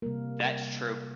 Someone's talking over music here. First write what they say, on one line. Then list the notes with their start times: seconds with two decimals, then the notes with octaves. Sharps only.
That's true.
0.02 C3 G3 A#3 A#4